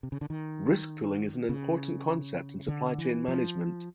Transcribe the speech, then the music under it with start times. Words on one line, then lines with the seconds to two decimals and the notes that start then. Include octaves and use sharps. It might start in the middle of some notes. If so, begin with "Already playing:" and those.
Risk pooling is an important concept in supply chain management.
0.03 C3
0.12 C#3
0.21 D3
0.30 D#3
1.49 C#3
2.68 D3
2.98 E3
3.28 F3